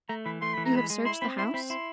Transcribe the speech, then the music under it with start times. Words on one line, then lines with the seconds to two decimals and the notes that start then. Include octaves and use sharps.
"You have searched the house?"
0.09 A3 A#5
0.25 E3 B5
0.41 A3 C6
0.54 E3 B5
0.65 A#5
0.74 G#3 B5
0.90 G#3
1.05 E4 C6
1.22 C4 B5
1.38 E4 C6
1.54 C4 B5
1.70 E4 C6